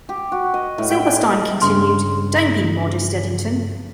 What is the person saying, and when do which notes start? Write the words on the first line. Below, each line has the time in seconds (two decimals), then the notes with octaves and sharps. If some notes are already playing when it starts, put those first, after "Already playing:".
Silberstein continued Don't be modest, Eddington!
0.09 G4
0.32 F#4
0.54 D#5
0.78 A2
0.90 G5
1.07 G#5
1.20 D#5
1.62 G2 C#3 C6 F6